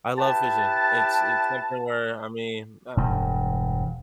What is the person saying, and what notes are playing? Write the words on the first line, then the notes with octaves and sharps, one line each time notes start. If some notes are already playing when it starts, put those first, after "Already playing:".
I love fishing. It's it's something where, I mean, uh
E4 G4 B4 A5
E1 G2